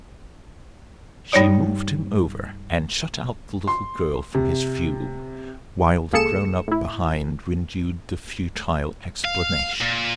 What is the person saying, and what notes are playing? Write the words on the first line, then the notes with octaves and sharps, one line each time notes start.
She moved him over, and shut out the little girl from his view, while the grown-up behind renewed the futile explanations.
G2 G3 D#4 C#5 D5 D#6
C6
C3
C#2 A#3 G#4 A4 C#7 E7
A2 E4
F5
A#2